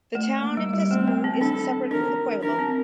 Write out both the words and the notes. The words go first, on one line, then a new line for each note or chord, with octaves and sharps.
The town of Tesuque is separate from the pueblo.
A3
A#3
G3
G3
A3 C4
A#3
C4
D4 A4
D4 A#4
D4 A#4
C4